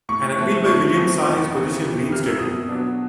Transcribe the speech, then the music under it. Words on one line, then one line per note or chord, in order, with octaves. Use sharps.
An appeal by Williams saw his position reinstated.
A2 C#6
E3 A3 C4
A2 C#6
E3 A3 C4
F2
C3 E3 G3 A#3
F2
C3 E3 G3 A#3 F6
E6
B2 D#6
F#3 B3 D4